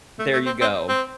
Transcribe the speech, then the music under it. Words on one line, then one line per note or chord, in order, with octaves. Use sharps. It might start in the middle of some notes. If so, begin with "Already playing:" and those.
There you go.
A3
A3
C4
C4
C4